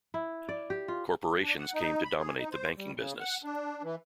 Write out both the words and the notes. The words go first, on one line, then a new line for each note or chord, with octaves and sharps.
Corporations came to dominate the banking business.
E4
D5
G4
F4
D4
F#5
D#4
B5
G#4
D#4
C5
G3
C#3
F#5
D4
E3